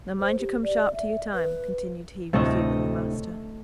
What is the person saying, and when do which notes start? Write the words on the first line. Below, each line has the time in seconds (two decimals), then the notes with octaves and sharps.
'Now mind you come sharp to your time,' continued he, resuming the master.
0.20 C5
0.39 G4
0.63 D5
0.94 E5
1.34 B4
2.33 D2 A2 C3 A3 A4 D#5